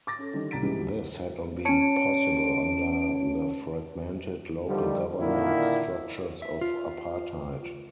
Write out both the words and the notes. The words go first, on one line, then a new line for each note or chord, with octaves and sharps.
This had not been possible under the fragmented local government structures of apartheid.
D6 A6 A#6
C#4 A4
D3 D#3 G3
C2 A#5 A6 B6 D7
G#2 C#3 E3 G3 G#3 B3
F#3
C#4 C#5 A5 C#7 D7
D3 D#3 F3 G3
A#2 D3 D#3 A#3 E4
E5
F4